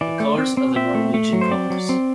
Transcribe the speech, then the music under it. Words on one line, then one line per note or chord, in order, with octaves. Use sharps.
The colours are the Norwegian colours.
E3 D5
A3
C4
C4
C4 E5
A3
A3
F#3
C5
C4 D5
F#3
C4